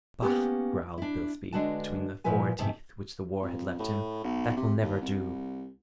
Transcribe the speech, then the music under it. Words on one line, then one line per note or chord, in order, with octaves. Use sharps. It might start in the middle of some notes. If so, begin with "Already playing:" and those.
"Bah!" growled Bilsby between the four teeth which the war had left him; "that will never do!"
A#3 B3 C#4 G4
D4 E4
D3 G#3 D4 F#4 B4 A5
A#2 F3 E4 B4 G#5
F2 G#2 C3 D#4 A5
F2
A2
B1
C3
D#2
C2